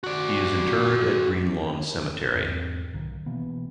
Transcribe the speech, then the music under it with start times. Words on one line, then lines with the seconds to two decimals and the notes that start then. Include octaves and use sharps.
He is interred at Greenlawn Cemetery.
0.04 F#4 D5
2.35 E2 G#2 C4
2.94 B1 D#3
3.26 B2 E3 A#3 B3